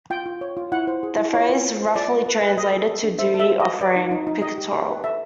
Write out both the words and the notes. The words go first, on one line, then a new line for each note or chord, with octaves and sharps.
The phrase roughly translated to "duty offering pictorial".
F4 G5
F4
C#5
F4
E4 F#5
C5
G#4
E4
F4 C#5
F4
C5
C5
F4 D5
B4
B4
B4
A4 D#5
A4
A4
D4
C5 E5
A4
E5
C5
D#5
F#4
B4 D5
D#4
D#4
D#4
G4 D#5
G4
G4
B4
A4 E5